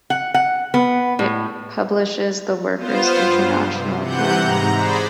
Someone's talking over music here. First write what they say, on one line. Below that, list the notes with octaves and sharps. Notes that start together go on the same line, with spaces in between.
It publishes the "Workers International Journal".
F#5
F#5
B3
A2
B3 F4 C5
G2
C3
C3 E3 F#5 G6
G#2 A#5
G#4 C5 D5 B5